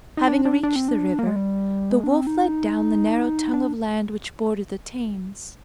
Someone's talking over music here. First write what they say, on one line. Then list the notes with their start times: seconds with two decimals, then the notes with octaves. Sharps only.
Having reached the river, the wolf led down the narrow tongue of land which bordered the Thames.
0.17 D#4
0.28 D4
0.45 D4
0.63 D4
0.76 C4
0.88 D4
1.19 A#3
1.27 G#3
1.36 G3
1.90 G#3
2.04 D4
2.09 C4
2.27 D#4
3.54 D4